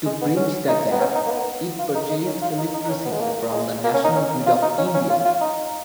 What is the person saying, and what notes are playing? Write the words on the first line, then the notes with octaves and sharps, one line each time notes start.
To bridge the gap, it purchased electricity from the national grid of India.
G#3
B3
C#4
D#4
B3
C#4
D#4
A#3
B3
F4
D#4
D#4
C#4
F4
D#4
D#4
D#4
C#4
B3
G#3
A#3
G#3
A#3
C#4
D#4
C#4
F4
D#4
C#4
C#4
F4
F4
D#4